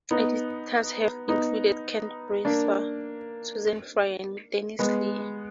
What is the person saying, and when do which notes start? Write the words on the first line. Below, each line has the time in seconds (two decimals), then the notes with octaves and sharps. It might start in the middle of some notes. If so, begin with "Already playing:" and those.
Editors have included Kent Brewster, Susan Fry, and Denise Lee.
0.11 B3 D#4
1.28 B3 D#4
2.45 A#3 D4
4.79 G#3 B3